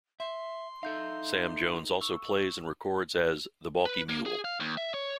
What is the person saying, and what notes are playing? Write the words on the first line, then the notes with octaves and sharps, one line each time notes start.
Sam Jones also plays and records as 'The Balky Mule'.
E5 C6
D#4 A4 E5 F5 G6
C#6 E6
B4
A#3
G#4
F5
D#2
E5
C#5